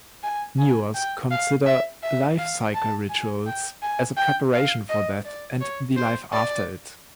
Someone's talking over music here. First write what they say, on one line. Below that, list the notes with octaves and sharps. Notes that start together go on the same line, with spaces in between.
Newars consider life-cycle rituals as a preparation for death and the life after it.
G#5
G#5
G5
F5
E5
E5
F5
A5
G#5
G5
G#5
G5
F5
D#5
D5
C#5
C5
D5